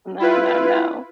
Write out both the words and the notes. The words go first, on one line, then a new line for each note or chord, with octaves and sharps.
No, no, no.
E4 F4 B4